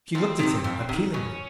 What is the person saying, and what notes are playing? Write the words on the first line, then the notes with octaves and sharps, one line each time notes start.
She looked at him appealingly.
F2 C4
C3 D#3
F2
C3
D#3
B2 C#4